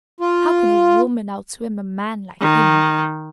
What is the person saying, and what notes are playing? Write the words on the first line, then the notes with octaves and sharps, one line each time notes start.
How could a woman outswim a man like him?
F4
D#3